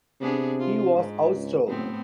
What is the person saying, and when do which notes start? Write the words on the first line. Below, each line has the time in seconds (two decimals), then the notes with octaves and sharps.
He was austere.
0.21 C3 B3 D4 G#4
0.60 F4
0.95 G#2
1.35 C#2
1.66 F#1 A2 B3 C4